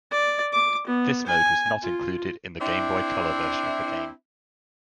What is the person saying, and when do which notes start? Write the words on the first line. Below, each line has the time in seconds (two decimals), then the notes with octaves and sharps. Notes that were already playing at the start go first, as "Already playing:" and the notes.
This mode was not included in the Game Boy Color version of the game.
0.11 D5
0.53 D6
0.87 B3
1.27 G#5
1.83 F4
2.60 C4 D4 E4